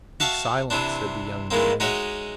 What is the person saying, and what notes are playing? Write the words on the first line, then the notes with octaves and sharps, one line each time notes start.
"Be silent," said the young man.
F#4 E5 F5 A5 C#6
C3 E3 C4 D4
D#3 E3 G#3 A#3 C4
G#3 D#4 F#4 C#5 E5